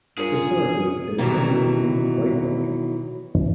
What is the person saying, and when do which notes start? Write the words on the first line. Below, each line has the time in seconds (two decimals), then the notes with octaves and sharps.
Historically, it is known as the paint whitewash.
0.17 G2 F4 G#4 A#4 C#5
1.18 B2 D#3 E3 F#3 G3